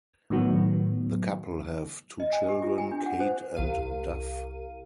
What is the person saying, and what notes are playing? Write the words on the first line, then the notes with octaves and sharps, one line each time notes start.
The couple have two children, Kate and Duff.
A2 D#3 F#3 B3
D#5
G#5
G4
F4
G#5
D4
F#5
C5
C2 F5 D#7